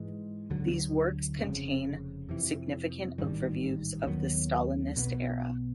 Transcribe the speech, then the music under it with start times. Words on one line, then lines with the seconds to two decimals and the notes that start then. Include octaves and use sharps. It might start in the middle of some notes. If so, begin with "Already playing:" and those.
These works contain significant overviews of the Stalinist era.
Already playing: G#2 E3 G#3
0.50 D2 D3 F#3
1.39 F1 F2 C#3
2.29 F2 C3 E3
3.18 A1 G#2 D#3 G3
4.06 D#2 D#3 F#3 B3
4.96 B1 B2 G3 B3